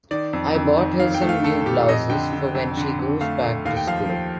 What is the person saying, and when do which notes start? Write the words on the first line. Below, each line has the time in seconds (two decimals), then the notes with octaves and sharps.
I bought her some new blouses for when she goes back to school.
0.11 D#3 D5
0.33 F2
0.55 F2
0.77 D#3
1.00 D#3 F5
1.14 G5
1.21 A3
1.29 F5
1.44 A3 A4
1.65 D#3 G4
1.89 F2 D#5
2.10 D3 G5
2.33 D3
2.55 F2
2.77 D3
2.99 F2
3.21 A3 F5
3.43 A3
3.65 D#2 F5
3.77 G5
3.87 F3 F5
4.10 F3